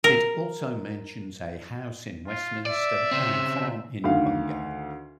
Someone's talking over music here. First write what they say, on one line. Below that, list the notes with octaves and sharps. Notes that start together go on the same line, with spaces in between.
It also mentions a house in Westminster and farm in Bungay.
A#4
F4
D5 E5
C#3 C4
D2 D#3 F5